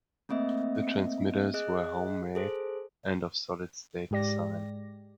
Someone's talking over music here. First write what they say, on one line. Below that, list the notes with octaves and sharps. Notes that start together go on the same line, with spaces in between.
The transmitters were home-made and of solid state design.
A3 A#3 C4 D#5 E5
G#4 D#5 F#6
G#4 A4 C5
G#2 G#3 G4 D5 A#6